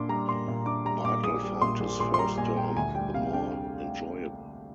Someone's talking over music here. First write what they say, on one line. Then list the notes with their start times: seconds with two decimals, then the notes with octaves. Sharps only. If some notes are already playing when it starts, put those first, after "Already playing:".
Bartle found his first term the more enjoyable.
Already playing: A#2 D4 C6 D6
0.09 G3 A#5
0.28 A#2 C6
0.48 A#2
0.66 D4 D6
0.85 G3 A#5
1.04 A#2 D6
1.23 A#1 D#6
1.42 G3
1.61 A#2 C6
1.80 A#1
2.00 A#1 C6
2.14 C6
2.19 G3 A#5
2.38 A#2 G#5
2.57 A#1 G5
2.76 D2 G#5
2.95 G3 G5
3.14 C3 F5
3.33 D4 G5